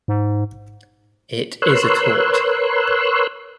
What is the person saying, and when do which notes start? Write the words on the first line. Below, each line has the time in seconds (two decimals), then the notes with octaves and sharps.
It is a tort.
0.08 G#2
1.62 A#4 B4 C#5 C6 E6 F#6